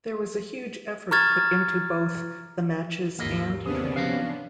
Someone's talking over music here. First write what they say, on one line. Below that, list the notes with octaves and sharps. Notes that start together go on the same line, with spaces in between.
There was a huge effort put into both - the matches and training.
A#5 C#6 F6 G#6 A6
G#1 D#2 A#3 E4 D#5
D#2 C3 B3 C#4 D4 G#4
F3 F#4 B4 F5